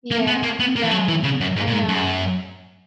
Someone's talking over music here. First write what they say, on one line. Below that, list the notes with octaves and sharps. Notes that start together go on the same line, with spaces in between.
Yeah. No. I know.
A#3
B3
A#3
B3
A#3
E3
F#3
E3
C#3
F#2
G#2
A#2
G#2
F#2